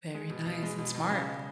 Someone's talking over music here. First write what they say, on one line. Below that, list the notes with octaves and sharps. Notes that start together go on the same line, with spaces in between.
Very nice and smart.
G#3
B2
B2
G#3
B2
B2
C#3